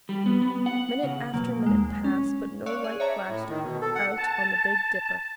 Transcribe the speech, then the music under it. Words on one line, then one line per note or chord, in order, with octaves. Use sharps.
Minute after minute passed, but no light flashed out on the Big Dipper.
G3
B3
B3
F#5
C#3
B2 F#3 A#3
D#2 G#3
C#4
C#5 D5 F5 C#6 E6 F#6
G#4
C#5 E5 A5 A#5 D6
A2
D#3
B2
A4
F#5
A5